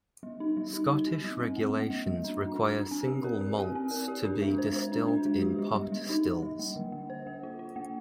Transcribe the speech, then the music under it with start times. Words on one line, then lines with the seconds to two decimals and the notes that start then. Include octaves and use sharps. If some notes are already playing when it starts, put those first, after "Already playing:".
Scottish regulations require single malts to be distilled in pot stills.
0.23 G3
0.40 D#4
0.57 G3
0.73 D#4
0.90 D#4
1.07 C4
1.24 G3
1.40 C4
1.56 A#3
1.74 A#3
1.90 G3
2.07 G3
2.24 D4
2.41 D4
2.58 D4
2.74 D4
2.91 C4
3.08 G4
3.24 A#4
3.41 G4
3.59 C4
3.75 C4
3.91 A#4
4.08 G4
4.25 D4
4.41 G#3
4.58 C5
4.76 C5
4.92 D4
5.08 D4
5.25 G#3
5.42 G4
5.59 G3
5.76 G3
5.92 G3
6.09 D#4
6.26 G3
6.42 G3
6.59 A#3
6.76 D3
6.92 A#3
7.10 C5
7.27 A#3
7.43 F4
7.59 F4
7.76 A#3